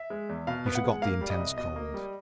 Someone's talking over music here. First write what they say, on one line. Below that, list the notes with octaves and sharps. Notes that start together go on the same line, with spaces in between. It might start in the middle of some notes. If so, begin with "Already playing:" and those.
He forgot the intense cold.
Already playing: E5
G#3
E2
B2 F5
B3
F#5
G#3
A#3 F5
G3
D#5
C2
B2 D#5
A#3
G3